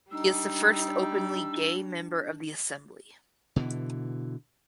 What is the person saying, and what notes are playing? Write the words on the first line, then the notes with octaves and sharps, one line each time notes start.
He is the first openly gay member of the Assembly.
G3 D4 D#4 E6
B2 D3 E3